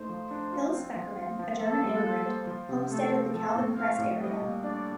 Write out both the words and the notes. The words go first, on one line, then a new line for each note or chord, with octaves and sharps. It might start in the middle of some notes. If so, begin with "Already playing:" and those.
Hills Speckerman, a German immigrant, homesteaded the Calvin Crest area.
Already playing: A3 D#4 C5
F3
D4
F4
C4
F3
F4
F3
A#3 A4
G3
F4
C5
F3
C3
A3 A4
C4
F3 A4
A2
C4 F5
A2
G3 D#5
A#2
D4 D5